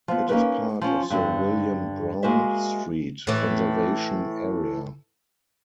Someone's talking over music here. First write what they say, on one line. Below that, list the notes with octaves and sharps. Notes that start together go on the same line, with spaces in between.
It is part of the William Brown Street conservation area.
F3 B3
A#3 B3 C#4 D#4 A#4 B4
F3 C#4
G2 D3 C4
G#3 A#3 F#4 C5 E5
A2 E3